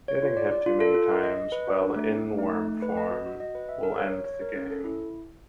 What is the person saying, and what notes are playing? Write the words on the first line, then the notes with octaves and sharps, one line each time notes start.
Getting hit too many times while in worm form will end the game.
C#5
F4
D5
D5
F4
A4
F4
D#5
D#5
D#5
B4
F#4
D4
A3
C4
A3
D#4
A3
A3
B4
D#5
F#4
F#4
D#5
B4
E5
A#4
C#5
C#5
C#5
A#4
C#4
A4
E4